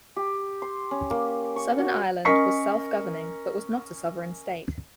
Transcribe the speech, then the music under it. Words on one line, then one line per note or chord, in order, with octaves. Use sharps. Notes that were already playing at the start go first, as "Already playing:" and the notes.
Southern Ireland was self-governing but was not a sovereign state.
G4
C6
C#4
A#3
C#6
F#4
C#4 A#4 D#5 C#6 B6 C7